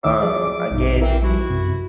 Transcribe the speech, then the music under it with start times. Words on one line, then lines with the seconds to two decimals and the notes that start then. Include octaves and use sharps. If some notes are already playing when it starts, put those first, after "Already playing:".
um, I guess
0.04 C#2 D#3 D6 E6
0.22 F3 G#4 D5
0.71 A#1 G2 B2 D#4
1.01 E3 C4 E4 A#4 E5
1.23 F3 G3 E4 F#4
1.50 F#2 C3